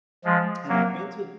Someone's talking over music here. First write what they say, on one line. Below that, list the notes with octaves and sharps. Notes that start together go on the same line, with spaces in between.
And I've been to
F3 G#3
F#3 A#3